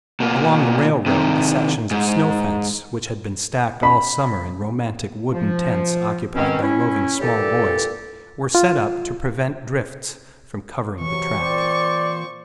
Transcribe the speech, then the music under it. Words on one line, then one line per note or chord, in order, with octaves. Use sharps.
Along the railroad the sections of snow fence, which had been stacked all summer in romantic wooden tents occupied by roving small boys, were set up to prevent drifts from covering the track.
B2 A#3
C3 D#3
G#2
B5
F3
B2 D#3 C4 C#4
C#4 E4
A#2 D3 E3 G4 A4
F4
C3 E3 F#3 C#6
A#2 C4 C5 D5